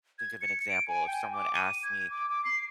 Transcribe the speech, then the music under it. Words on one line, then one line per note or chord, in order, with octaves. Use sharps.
think of an example. If someone asked me,
G#6
C#7
D7
G#5
G5
D6
D#7
G#6
D6
D6
C7